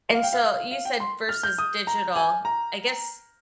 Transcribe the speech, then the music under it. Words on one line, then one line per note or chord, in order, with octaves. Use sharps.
And, so, you said, versus digital I guess
F5
G5
F5
F5
F5
G5
C6
F6
G6
D#6
A#5
G#5
A#5